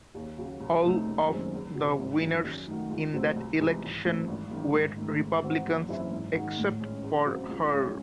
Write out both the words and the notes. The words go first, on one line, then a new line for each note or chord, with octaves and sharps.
All of the winners in that election were Republicans except for her.
D#2
C#3 F#3
C2
C3 F#3 A3 D#4
F#1
F#2 D#3 G#3 C4
E2
C3 F#3
G#1
F#2 D#3
F#2
D#3 A3 D#4 F#4
C#2
C3 F#3 A3 C4
C2
C3 E3 G#3
G#1
F#2 E3 A3 C4
G#1
F#2 D#3
G#2
D#3 A3
G#2
E3 C4 F#4
F#1
F#2 E3 C4 E4
G#2
D#3 G#3 D#4 F#4
A2
G#3 C#4
E2
C#3 F#3 C4
C#2
C#3 G#3 C#4